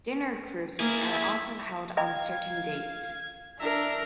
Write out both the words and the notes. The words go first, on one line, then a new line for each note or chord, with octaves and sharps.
Dinner cruises are also held on certain dates.
A#3 E4 G#4
E5
D#5 F5 G5 A#5 G#6
D4 A#4 E5